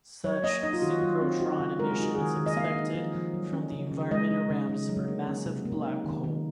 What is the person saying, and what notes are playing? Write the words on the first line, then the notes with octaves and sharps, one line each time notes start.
Such synchrotron emission is expected from the environment around a supermassive black hole.
F#3 C#5
A#3 D#5
D#4 D#5
F4
D#3 F#4
F#3 F4
C4
D#4 F#4
C#3
G#3 A#4
G#4
D#4 F#4
D#3 G#4
D#3
D#5
A#3 F5
D#4
F3
F3
F#3
C#4
C#3
C#3
G#3 D#5
D#4
C#3
C#3
F#3
A#3
C#4
C3
A#3
D#4
D#3
D#3